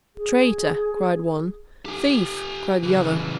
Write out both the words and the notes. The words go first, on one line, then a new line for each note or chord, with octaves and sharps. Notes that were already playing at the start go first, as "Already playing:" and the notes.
Traitor, cried one; thief, cried the other.
G#4
G4 G#5
C#3 E3